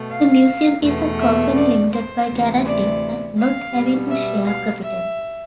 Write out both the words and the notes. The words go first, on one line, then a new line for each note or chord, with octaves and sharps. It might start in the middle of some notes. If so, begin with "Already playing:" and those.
The Museum is a company limited by guarantee and not having a share capital.
Already playing: B2 A3
F5
E2 B2 A3
E5
D5
C5
D2 C3 E3
D5
F5
B2 G3
E5
F5
E5